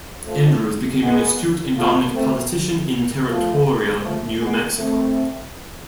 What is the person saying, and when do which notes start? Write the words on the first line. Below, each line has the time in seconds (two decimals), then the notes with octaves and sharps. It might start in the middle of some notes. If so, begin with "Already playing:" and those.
Andrews became an astute and dominant politician in territorial New Mexico.
0.25 F3 A3
1.00 G#3 B3
1.76 F3 A3
2.14 A3 C4
3.27 F3 A3
4.02 F3 A3
4.40 G#3 B3
4.78 A3 C4